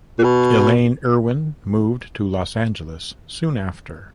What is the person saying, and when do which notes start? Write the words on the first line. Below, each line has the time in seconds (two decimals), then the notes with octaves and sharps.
Elaine Irwin moved to Los Angeles soon after.
0.19 A#2
0.24 B2